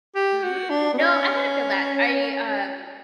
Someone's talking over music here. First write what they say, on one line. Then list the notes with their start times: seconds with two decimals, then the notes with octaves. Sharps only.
Mhm, no, I kind of feel that. I, um,
0.15 G4
0.43 F#4
0.70 D4
0.94 B3
0.98 C#4